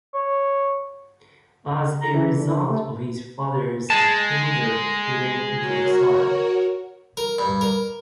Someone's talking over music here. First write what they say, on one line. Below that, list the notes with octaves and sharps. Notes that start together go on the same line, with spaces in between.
As a result of his father's attainder, he went into exile.
C#5
A#5
E3
D3
A3
G#3 A5
F#4 A#4 C#5
A#4
G2
A#4